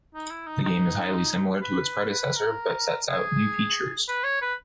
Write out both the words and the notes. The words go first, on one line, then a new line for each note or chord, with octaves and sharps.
The game is highly similar to its predecessor, but sets out new features.
D#4
E4
D#4
D#4
B4
B4
A#4
G#4
B4
C#5
B4